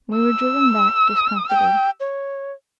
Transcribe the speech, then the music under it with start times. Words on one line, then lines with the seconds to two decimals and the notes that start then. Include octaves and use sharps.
We were driven back discomforted.
0.17 E6
1.50 G5
2.00 C#5